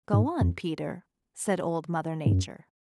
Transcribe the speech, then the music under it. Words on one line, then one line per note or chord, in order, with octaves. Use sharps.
"Go on, Peter," said Old Mother Nature.
G#2
F2
G#2
F#2